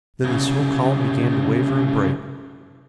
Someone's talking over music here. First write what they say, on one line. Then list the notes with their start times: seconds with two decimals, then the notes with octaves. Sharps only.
Then the smoke column began to waver and break.
0.24 C2 C#3